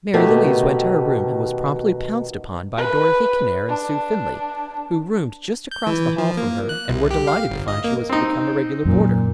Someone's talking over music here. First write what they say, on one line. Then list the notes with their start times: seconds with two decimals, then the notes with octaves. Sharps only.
Mary Louise went to her room and was promptly pounced upon by Dorothy Knerr and Sue Finley, who roomed just across the hall from her and were delighted to find she was to become a regular boarder.
0.14 B2 D#3 A3 G4
2.78 B4
3.69 D4
5.71 G6
5.87 E3
6.18 F3
6.37 A#3
6.69 F#6
6.89 C2
7.11 G4
7.27 F5
7.50 G1
7.68 D#5
7.84 A#3
8.09 C4 D#4
8.85 F#2 A#2